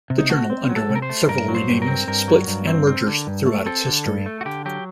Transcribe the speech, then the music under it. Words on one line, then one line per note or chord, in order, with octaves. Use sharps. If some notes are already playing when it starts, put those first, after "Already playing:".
The journal underwent several renamings, splits, and mergers throughout its history.
C3
D#4
A3 F#4
C4
F#3
A4
C3
A#4
C5
A3
G2 A#4
F#3
C5
G2
A#4
C4
G2 A#4
F#3
G2
C4
C4
D3
G2
A3
C4 A4
D3
G2
A3
F#4
D3 G4
F#3 G4